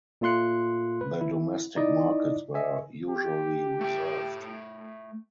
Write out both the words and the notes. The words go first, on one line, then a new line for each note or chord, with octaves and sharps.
The domestic markets were usually reserved.
A#2 A3 F4 C6 F#6 C#7
B4
E4
D#4 E4 D5 D#5
D#5 E5 G#5
G4
A3 G5